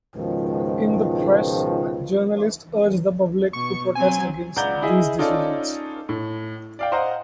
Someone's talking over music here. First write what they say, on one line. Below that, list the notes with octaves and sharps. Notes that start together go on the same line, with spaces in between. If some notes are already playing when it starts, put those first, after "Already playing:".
In the press journalists urged the public to protest against these decisions.
C#2 G#2 B2 D#3 F3
B2 C#6
F#3 C4 G#5
C#2 D5 F#5 A#5 G6 G7
E4 G#4 D#5 E5
C#4 D#4 F4 A4 D5
A2
D5 F5 G5
C5 D#5 F5 F#5 A#5